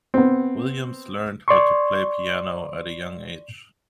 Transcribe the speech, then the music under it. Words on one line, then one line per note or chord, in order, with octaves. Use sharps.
Williams learned how to play piano at a young age.
B3 C4
D5 C6 C#6